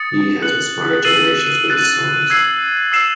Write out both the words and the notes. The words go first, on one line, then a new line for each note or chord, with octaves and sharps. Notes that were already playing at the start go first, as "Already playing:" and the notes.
He has inspired generations with his songs.
Already playing: D#6 A6 C#7
F#6 C#7 F#7
E6 A6 C7 D#7 F#7
F#6 A6 D#7 F#7
E6 G#6 C7 F#7
E6 C7 E7